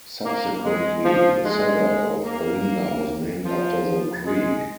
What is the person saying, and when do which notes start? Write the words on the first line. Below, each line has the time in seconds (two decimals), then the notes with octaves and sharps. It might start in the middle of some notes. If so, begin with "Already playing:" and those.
Subsequently the suburb of Olinda was named after the creek.
0.25 A#3
0.65 G#3
1.04 F3
1.44 G#3
2.25 A#3
3.45 F3
4.25 G#3